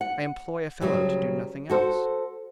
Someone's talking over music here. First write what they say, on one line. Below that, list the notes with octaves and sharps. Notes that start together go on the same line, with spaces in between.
I employ a fellow to do nothing else.
F#5
D2 C#3 F#3 G3
F#4 A4 C5